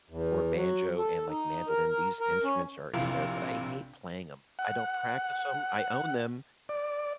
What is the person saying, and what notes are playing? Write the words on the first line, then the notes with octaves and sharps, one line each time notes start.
where banjo and, like, mandolin, these instruments are in there, but I hate playing 'em, I don't practice 'em, I own them,
E2
F#3
A4
D#4
A#4
A#4
C#4
A#1 C3 E4 F5
F#5
D5